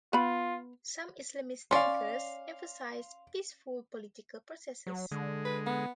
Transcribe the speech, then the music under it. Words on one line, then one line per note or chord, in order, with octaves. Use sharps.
Some Islamist thinkers emphasize peaceful political processes.
B3 F4 B5
C#4 D5 F5 C6
F#3
D3 G#3
B4
B3